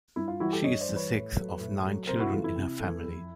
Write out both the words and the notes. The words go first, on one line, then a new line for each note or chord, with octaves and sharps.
She is the sixth of nine children in her family.
G2 E4
F4
E3 G3 E4 F#4
G4 A4
G2 C#5 D#5
C5 D5
E3 G3
B4 C#5
A2
F#3 A3
A2
F#3 A3
C3 A#4 C5
E4 F#4
E3 A3 F4
E4
C3
E3 A3
F2